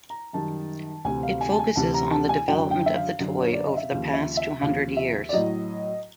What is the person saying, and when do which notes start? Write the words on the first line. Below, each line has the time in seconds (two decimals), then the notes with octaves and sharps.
It focuses on the development of the toy over the past two hundred years.
0.10 A#5
0.33 F#2 D#3 G3 A5
1.04 D2 C3 E3 G#5
1.23 F5
1.41 G#5
1.52 A5
1.59 G#5
1.76 D2 C3 E3 A5
1.94 A#5
2.11 A5
2.29 G#5
2.48 F#2 D3 F#3 G5
2.71 G5
2.86 E5
2.95 F5
3.19 F#2 D3 F#3
3.42 C#5
3.53 D5
3.65 D#5
3.77 E5
3.91 D#2 C#3 F3 F5
4.13 E5
4.37 E5
4.61 D#2 C#3 F3 F5
4.97 E5
5.29 D5
5.33 A2 F#3 D#5